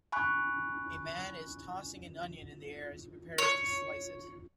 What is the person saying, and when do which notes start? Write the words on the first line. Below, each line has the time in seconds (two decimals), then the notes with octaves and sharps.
A man is tossing an onion in the air as he prepares to slice it.
0.12 G#5 B5 C#6 F#6
3.38 C#5